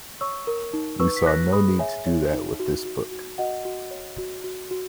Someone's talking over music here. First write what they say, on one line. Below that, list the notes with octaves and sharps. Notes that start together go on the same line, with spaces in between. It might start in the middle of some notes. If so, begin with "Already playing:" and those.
We saw no need to do that with this book.
C#5 C#6 E6
A#4
D#4
B4 C#6 E6
B6
B4 F#6 A#6
G#4 B5 D#6
C#5 E5 G#5
C#5
D#4
F#4
F#4
F#4
F#4 D#5 F#5
F#4
C#5
F#4
F#4
F#4